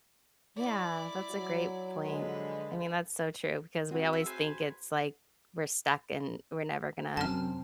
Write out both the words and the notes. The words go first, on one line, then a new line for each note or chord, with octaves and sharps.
Yeah, that's a great point. I mean, that's so true 'cause we always think it's like we're stuck and we're never gonna
E4 D5
F#3
D3 F3 G#3 B4
C4 F#4 G#4
E5
B4 C5 G#5
F#2 C3 C4 A5 F6